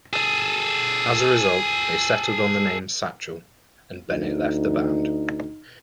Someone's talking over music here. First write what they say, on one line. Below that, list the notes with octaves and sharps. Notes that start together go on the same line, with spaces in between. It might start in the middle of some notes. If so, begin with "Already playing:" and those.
As a result, they settled on the name Satchel, and Bennett left the band.
G#4 A4
D2 D#4